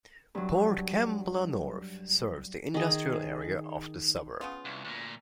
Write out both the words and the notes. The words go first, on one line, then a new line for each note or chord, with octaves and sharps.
Port Kembla North serves the industrial area of the suburb.
G2 F#3
D#3 G#4
C#3 B3 F4
C2
D2 A#2